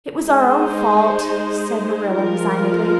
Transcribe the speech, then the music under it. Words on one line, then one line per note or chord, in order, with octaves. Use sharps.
"It was our own fault," said Marilla resignedly.
G#3 D#4 G#4 C5
F3 G#3 F4 A#4